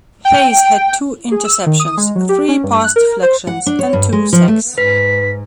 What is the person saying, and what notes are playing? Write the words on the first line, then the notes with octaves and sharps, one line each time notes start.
Hayes had two interceptions, three pass deflections, and two sacks.
G5
G#4
E6
D#3
D#6
G#3
F#3
G4
C#4
G2
F#6
A#4
C5
F#5
D4
C#5
G2
G#3
F3
A3
G#2 B4 B6